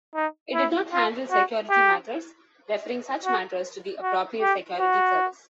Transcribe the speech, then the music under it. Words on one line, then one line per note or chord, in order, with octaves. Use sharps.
It did not handle security matters, referring such matters to the appropriate security service.
D#4
E4
F4
F#4
G4
F#4
F#4
G4
F#4